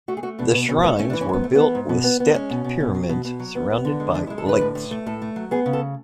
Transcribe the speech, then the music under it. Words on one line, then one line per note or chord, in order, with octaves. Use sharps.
The shrines were built with stepped pyramids surrounded by lakes.
A3 F#4
G#4
A3 F#4
B2 D4
B2 B3
B2 C#4
A3 B3
A3 C#4
D4
E3
C#4
G#2 B3
A3
E3 B3
G#2
B2
B3
B3
G#3 C#4
B2
B2
B2
F#3
B2
B2
F#3
B3
B3
D3
G#3
F#2 D4
E4
G#3
A4
D3 B4
A2
A2
A3
A2 A4
A3
F#3
B3 G#4
C#3
A4